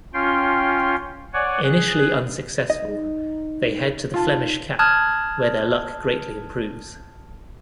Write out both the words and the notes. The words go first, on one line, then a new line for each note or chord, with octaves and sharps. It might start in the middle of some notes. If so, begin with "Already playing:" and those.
Initially unsuccessful, they head to the Flemish Cap, where their luck greatly improves.
C#4 F4 G5 C6
C#5 D5 F#5 G#5
G#4 F#6
D#4 D#5
F4 A5
A5 D#6 F6 F#6 G#6